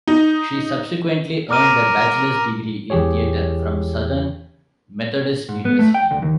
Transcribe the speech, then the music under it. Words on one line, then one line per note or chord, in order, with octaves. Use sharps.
She subsequently earned a bachelor's degree in theater from Southern Methodist University.
D#4
A#4 D6 F6 D#7
E2 E3 G4 G#4 C#5
G#2
B3
A3
G5
D2
D#2